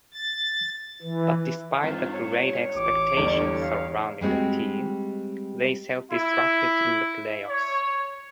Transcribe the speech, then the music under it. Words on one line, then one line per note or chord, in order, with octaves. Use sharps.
But despite the great expectations surrounding the team, they self-destructed in the playoffs.
A6
E3
G2 C4 F4
C#5
A1 D6
E2 G#2 D3 G3 A4
F5
G3 G#3 C4 F#4
E4
C#5